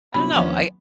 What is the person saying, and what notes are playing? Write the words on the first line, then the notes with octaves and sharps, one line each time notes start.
I don't know, I
G1 C3 F#3 B5
D#2 F3 B3 C#4